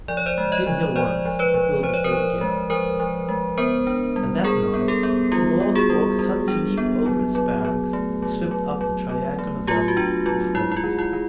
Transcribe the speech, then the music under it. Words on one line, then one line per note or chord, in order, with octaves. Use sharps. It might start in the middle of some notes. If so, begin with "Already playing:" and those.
"It been here once and will be here again!" And that night the North Fork suddenly leaped over its banks and swept up the triangular valley of Roaring Camp.
F3 D5
C#5
C5 D5
G#3
C#5 D#5
F3
F3 C5 D5
F3
B4 C#5
F3
F3 C5
C#5
A#4 C5
F3
G#3
F3 A#4 C5
F3
G#3
B3 A#4 C5
D4
G3
G3 G#4 A#4
B3
G4 A4
B3
G3 F4 G4
B3
F#4 G#4
G3
G3
D4
B3
F#3
F#3
F#3
A3
F#3
F#3
F#3
F#3
A3
F#3 F4 G4
F#4
D4 F4
F#3 F4
G#3 E4
E4
F4
D#3
E4
D#3